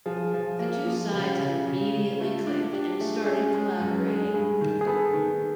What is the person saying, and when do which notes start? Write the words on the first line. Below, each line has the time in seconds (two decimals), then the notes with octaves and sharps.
The two sides immediately clicked and started collaborating.
0.06 F3 G#4
0.34 F3
0.59 A#3
0.86 F3
1.13 C#3 G4
1.39 C#3
1.67 C#3
1.93 C#3
2.20 A3 F4
2.47 D4
2.73 D4 G4
3.01 A3 G#4
3.26 C#4 G#4
3.54 G#3
3.80 F#2
4.08 G#3
4.34 G2 G#4
4.61 D#3
4.81 G#4
4.87 B3 A4
5.13 D#3